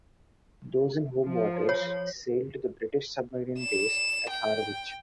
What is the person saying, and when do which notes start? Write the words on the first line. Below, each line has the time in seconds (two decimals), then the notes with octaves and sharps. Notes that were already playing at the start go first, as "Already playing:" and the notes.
Those in home waters sailed to the British submarine base at Harwich.
1.25 F3
1.69 C#5
3.59 E7
4.30 G5